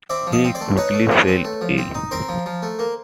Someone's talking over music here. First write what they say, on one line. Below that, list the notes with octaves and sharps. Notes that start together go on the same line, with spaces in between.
He quickly fell ill.
C4 D5 E5
F3
D#5 F5
C4
C5 D5
A3
D#4 B4 C#5
A3
F3
C4
A3
F3
C4
D#4
C4 A#4 C5
F3
F3
A3
A#3